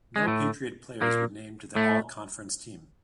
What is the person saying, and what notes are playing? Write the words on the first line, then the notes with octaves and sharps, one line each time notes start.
No Patriot players were named to the all conference team.
G#3
A2 A3
A#2 A#3
A2 A3